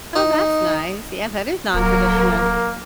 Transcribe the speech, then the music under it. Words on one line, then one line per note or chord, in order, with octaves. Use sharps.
Oh, that's nice. Yeah, that is nontraditional,
D#4
D1 F#3 A#3 A#4